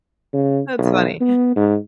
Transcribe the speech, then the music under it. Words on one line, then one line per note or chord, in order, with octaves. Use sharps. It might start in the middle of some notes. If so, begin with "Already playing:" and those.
That's funny.
C#3
B1
B3
G#2